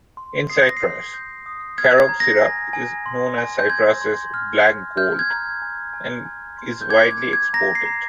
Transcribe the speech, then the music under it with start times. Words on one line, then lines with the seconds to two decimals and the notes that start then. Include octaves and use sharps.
In Cyprus, carob syrup is known as Cyprus's black gold, and is widely exported.
0.17 C6
0.50 D#6 C7
0.63 A#6
0.77 C7
0.82 G6
1.14 G6
1.46 D#6
1.78 F6 G#6
1.98 G#6
2.09 A#5
2.20 A#6
2.42 G#5
2.73 G#5
3.06 C6
3.38 G#5
3.59 G6
3.70 C6 G#6
4.02 C6
4.34 F6
4.66 F6
4.97 F6 G6
5.19 G#6
5.30 A#5
5.62 G#5
5.94 G#5
6.25 G#5
6.58 C6
6.82 G6
6.90 D6 G#6
7.11 G#6
7.21 G6
7.33 G#6
7.54 A#5 A#6
7.75 C7
7.86 A#5